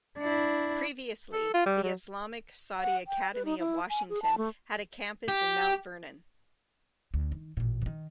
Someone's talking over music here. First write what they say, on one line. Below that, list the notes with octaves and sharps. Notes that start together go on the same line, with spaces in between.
Previously The Islamic Saudi Academy of Washington had a campus in Mount Vernon.
D4 E4
A4
F4
G3
F#3
F#5
G5
B4
D#4
E4
G#5
G#4
A5
A3
G4
D2
D#3
A1 A#2
D#3 E3